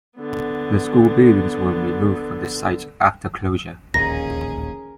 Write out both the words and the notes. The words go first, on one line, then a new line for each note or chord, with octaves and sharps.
The school buildings were removed from the site after closure.
D3 B3
D1 A#1 D#2 C#4 G#4 A#4 A#6